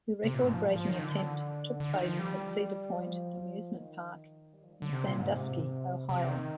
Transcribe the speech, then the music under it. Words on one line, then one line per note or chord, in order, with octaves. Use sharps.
The record breaking attempt took place at Cedar Point Amusement Park in Sandusky, Ohio.
C3
A#2
G#2
F3
F3
D#3
D3
D3
D#3
F3
G3
F3
D#3
G3
F3
D#3
D3
C3
A#2
G#2
C3
C3
D#3